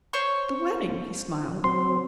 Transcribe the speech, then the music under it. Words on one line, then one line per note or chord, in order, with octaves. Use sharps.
"The wedding," he smiled.
C5 C#5 C#6
F#3 C4 C6